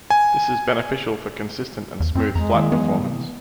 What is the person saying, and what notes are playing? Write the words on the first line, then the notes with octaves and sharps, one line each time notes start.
This is beneficial for consistent and smooth flight performance.
G#5
E2
F#2 C4
F2 G#3 A#5
D#3 A#3 E4
E3 F#3 B3 D#4
A2 C3